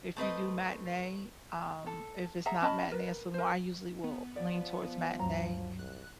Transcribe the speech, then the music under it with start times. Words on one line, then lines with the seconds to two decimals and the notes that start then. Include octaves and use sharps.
if you do matinee, um, if it's not matinee so I usually will lean towards matinee.
0.17 A3 C4 B4 D#5
1.86 A4
2.45 G#4 E5 F#5 A#5
2.62 C#4 D#5 A5 B5
2.92 A#4 B4
3.34 A#4 C5
4.04 B3
4.36 F3 D5
5.19 D2 G2 F#3 A#5
5.79 C2 F#6